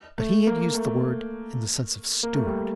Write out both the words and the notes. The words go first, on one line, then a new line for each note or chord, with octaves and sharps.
But he had used the word in the sense of Steward.
A3
A#3
A3
A#3
A3
G3